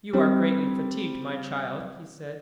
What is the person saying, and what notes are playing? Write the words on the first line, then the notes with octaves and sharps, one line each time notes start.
"You are greatly fatigued, my child," he said.
G3 C4